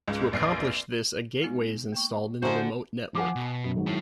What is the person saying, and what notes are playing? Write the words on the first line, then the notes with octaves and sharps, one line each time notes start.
To accomplish this a gateway is installed in the remote network.
C#2 G#2
F1 A#1 C7
G#3 B3 D#4
A#3 G5 C#6
D3 A#3 D#4 F#4 C5 E5 G#5 A#5
F3 F#5 G#5 D6
B2
F#2
G#1 F#3
E4 C#5